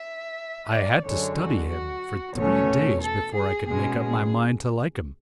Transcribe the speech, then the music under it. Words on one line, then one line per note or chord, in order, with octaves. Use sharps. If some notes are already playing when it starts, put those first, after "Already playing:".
I had to study him; for three days before I could make up my mind to like him.
Already playing: E5
D5
F#2 D3 G#3 C#5
F#4
F#4
E2 B2 A3 C#4 C#5
A4
G#4
B2 G#3 C#4 G#4
G#4